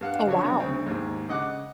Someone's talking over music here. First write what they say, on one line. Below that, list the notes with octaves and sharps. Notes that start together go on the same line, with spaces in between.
Oh, wow.
G2 F5 F#5
D3 F3 F#3 C#4 C#5
C3 G3 C4
D2 C#3 C4 C#4
D#2 G#2
C#3 D#5 F#5 D6